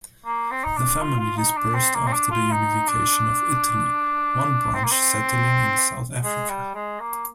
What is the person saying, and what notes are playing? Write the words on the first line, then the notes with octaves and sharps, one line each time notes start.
The family dispersed after the unification of Italy, one branch settling in South Africa.
A#3
C4
D#4
D4
F4
F4
D#4
D4
C4
A#3
C4
D4
F4
D#4
D4
C4
A#3
C4
G#3
G3
G#3
A#3